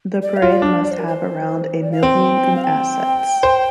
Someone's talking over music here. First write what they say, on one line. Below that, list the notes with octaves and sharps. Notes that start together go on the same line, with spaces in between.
The parade must have around a million in assets.
D5
F5
F4
D5
D4
D5
C5
A#4
C5
D5
F5
C4 G5
F5
G5
C5